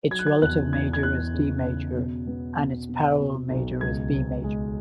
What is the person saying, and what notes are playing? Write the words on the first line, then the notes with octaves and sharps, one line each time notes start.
Its relative major is D major, and its parallel major is B major.
F#3 G#6
F#6
G#6
E2 F#6
E2 G#6
G#6
E2 F#6
C#3
C#3
B2
B3
B2
B2
B2
B1
C#2 G#6
C#2
G#3